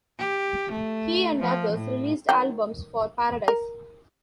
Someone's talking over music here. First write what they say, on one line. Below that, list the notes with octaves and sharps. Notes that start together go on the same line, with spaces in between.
He and others released albums for Paradise.
G4
A3
F3
A2
D#3 F#3 G5
A#4